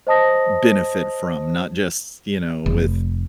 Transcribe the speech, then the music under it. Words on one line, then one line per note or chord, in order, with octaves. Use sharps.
benefit from, not just, you know, with
C5 D#5 A5 D#6 A#6
F1